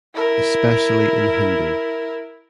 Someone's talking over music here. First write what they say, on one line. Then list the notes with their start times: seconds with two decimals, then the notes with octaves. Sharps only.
Especially in Hindu.
0.14 E4 A#4